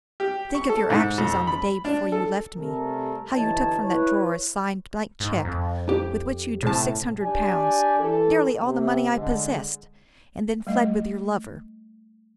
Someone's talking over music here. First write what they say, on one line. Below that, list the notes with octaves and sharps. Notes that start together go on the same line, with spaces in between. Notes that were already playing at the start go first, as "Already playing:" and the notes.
Think of your actions on the day before you left me; how you took from that drawer a signed blank cheque, with which you drew six hundred pounds,--nearly all the money I possessed,--and then fled with your lover.
G4
C#6
A4
G#2
F2
B5
D4
A4
C3 G3 A3 A4 A#4
G1 E3 D#4 C#5 A5
E4 B4 C#5
G#2
F2
G4
A2 C3 A5
D4 G4 D5 G#5
E3 A4
C3
D3 G#3
G3 A3 D#5